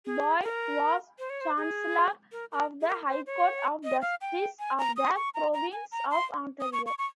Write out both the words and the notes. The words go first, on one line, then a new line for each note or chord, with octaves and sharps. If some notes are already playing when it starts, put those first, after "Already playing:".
Boyd was Chancellor of the High Court of Justice of the Province of Ontario.
G#4
A#4
C5
C#5
C5
G#4
A#4
A#4
G#4
A#4
C5
C#5
D#5
F5
G5
G#5
A#5
D#6
C#6
A#5
A#5
G#5
A#5
C6
D#6
C#6
C#6
C#6